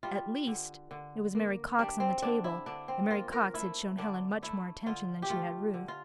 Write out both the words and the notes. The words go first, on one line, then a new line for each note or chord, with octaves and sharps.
At least, it was Mary Cox on the table, and Mary Cox had shown Helen much more attention than she had Ruth.
G3 F4
D3
D3
A#3
G3 D4
C4
D3 D4
E4
D3 D4
C4
A#3 F4
A#4
A3 E4
D3 D4
A3 E4
D3 F4
G4
A3 F4
D3
F4